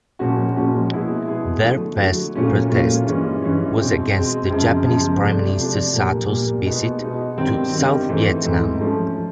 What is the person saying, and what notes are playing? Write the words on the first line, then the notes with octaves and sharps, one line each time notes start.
Their first protest was against the Japanese Prime Minister Sato's visit to South Vietnam.
A#2 F3 G#3 C#4 F#4
A#2 F3 G#3 C#4 F#4
B2 G#3 B3 E4 G#4
B2 G#3 B3 E4 G#4
D3 F#3 A3
D3 F#3 A3
A#2 F#3 A3 C#4 F4
A#2 F#3 A3 C#4 F4
G2 E3 G#3 C#4
G2 E3 G#3 C#4
B2 G#3 C4
B2 G#3 C4
F#2 C#3 F3 G#3
F#2 C#3 F3 G#3
C3 F3 A3 D4
C3 F3 A3 D4
A#2 G3 A#3
A#2 G3 A#3
B2 G#3 B3 D#4
B2 G#3 B3 D#4
G2 D#3 G3 C4
G2 D#3 G3 C4
G#2 E3 A3 C4
G#2 E3 A3 C4
F3 A3 C#4